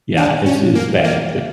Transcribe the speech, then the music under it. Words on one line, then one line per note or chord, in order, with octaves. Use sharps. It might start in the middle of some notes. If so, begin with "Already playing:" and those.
Yeah, it's it's bad.
D4
C#4
A#3
A#3